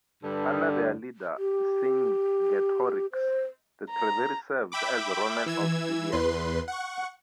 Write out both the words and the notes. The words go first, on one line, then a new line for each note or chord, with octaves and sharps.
Under their leader Cingetorix, the Treveri served as Roman auxiliaries.
G2 D3
G4
C5
A#5
E5 G5 B5 D6
E3 E6 G#6
E2 B4 C6
F#5 C#6